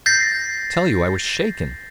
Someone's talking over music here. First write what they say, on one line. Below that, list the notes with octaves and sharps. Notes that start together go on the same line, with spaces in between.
I tell you I was shaken.
G6 A6 A#6 C7